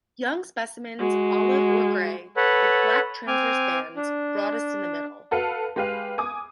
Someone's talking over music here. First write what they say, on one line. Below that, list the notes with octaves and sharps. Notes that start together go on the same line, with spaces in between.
Young specimens olive or grey with black transverse bands, broadest in the middle.
G#3 F#4
A4 B4 C#5 F#5 B5
C4 G#5 D6 F6
D4
F#4 A4 B4 F5
G#3 G4 B4 F5
G#5 D6 D#6